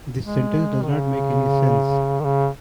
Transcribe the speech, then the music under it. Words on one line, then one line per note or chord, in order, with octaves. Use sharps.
This sentence does not make any sense.
G#3
D#3
C#3
D#3
C#3